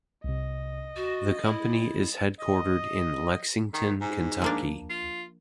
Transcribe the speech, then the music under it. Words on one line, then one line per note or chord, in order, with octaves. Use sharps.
The company is headquartered in Lexington, Kentucky.
C2 C3 D#5
F#4 A6
E4
D#5
D#3
G#2
F3 A#3 D4
F4